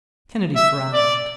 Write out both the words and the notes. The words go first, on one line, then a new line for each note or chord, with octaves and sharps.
Kennedy frowned.
E5
D5